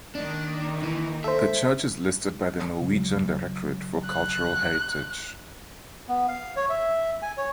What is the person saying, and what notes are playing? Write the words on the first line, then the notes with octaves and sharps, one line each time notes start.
The church is listed by the Norwegian Directorate for Cultural Heritage.
D#3 A#3 D4 D#4
E3
A4 C5 E5
C#3 F#3
F#6
B3
F5
C#5
E5
G#5
C#5